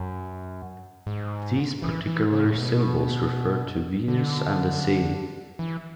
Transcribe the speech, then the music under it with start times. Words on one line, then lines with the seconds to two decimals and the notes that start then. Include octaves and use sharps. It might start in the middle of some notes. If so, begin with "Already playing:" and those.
These particular symbols refer to Venus and the sea.
Already playing: F#2
1.07 G#2
1.82 E3
2.07 E3
2.32 C#3
2.45 A2
2.58 B2
4.08 D3
5.59 E3